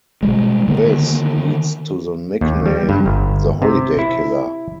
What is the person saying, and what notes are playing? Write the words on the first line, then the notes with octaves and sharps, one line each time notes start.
This leads to the nickname "The Holiday Killer".
B2 G3 G#3
D3 D#3 A#3 B3
D#2
G3
G2
G1
C3
E4